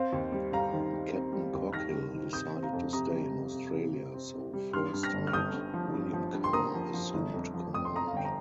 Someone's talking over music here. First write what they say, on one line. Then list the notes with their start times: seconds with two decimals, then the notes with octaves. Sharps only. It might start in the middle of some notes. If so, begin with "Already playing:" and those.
Captain Coghill decided to stay in Australia so First Mate William Carr assumed command.
Already playing: C4 C5 F5
0.13 D#2
0.32 G3
0.53 G3 F5 A#5
0.73 D#3
0.93 G3
1.12 C4
1.33 G3
1.53 D#2
1.73 D#3 F6 A#6
1.93 G3
2.13 D#3
2.33 C3 D#6 G6
2.53 C4
2.63 F5 A#5
2.73 F2
2.93 C3 A#5 D#6
3.14 G3
3.33 G3
3.53 C3
3.73 C3
3.93 C4
4.14 C4
4.33 C3
4.53 G3
4.73 G2 C6 F6
4.94 G2
5.03 F6 A#6
5.13 G1
5.27 F6
5.33 G1 D#6 G6
5.54 G2
5.74 F3
5.94 G2
6.13 F3
6.34 G2
6.44 C6
6.53 A#3 A#5 D#6
6.74 F3
6.94 F3
7.14 G1
7.34 F2
7.54 F3
7.74 F2 D#6
7.85 C6
7.94 F2 A#5 D#6
8.07 F5
8.13 G1 G5
8.25 A#5